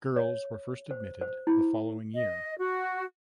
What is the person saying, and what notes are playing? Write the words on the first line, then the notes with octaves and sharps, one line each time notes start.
Girls were first admitted the following year.
C#5
C5
C5
E4
D#5
F#4